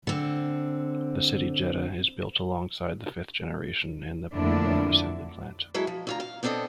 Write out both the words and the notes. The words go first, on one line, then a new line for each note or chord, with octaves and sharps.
The City Jetta is built alongside the fifth generation in the Puebla Assembly Plant.
D3 C4
F2 D3 A3 A#3 D4 E4
F#3 G#3 E4 A4 E5
F3
D2 F4 A#5
F5
B3 C4 D4 A4 D#5